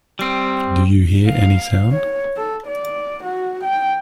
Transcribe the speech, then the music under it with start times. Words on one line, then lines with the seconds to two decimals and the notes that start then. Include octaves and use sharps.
Do you hear any sound?
0.19 G3 C4
1.28 F5
1.92 C#5
2.37 A4
2.67 D5
3.24 F#4
3.65 G5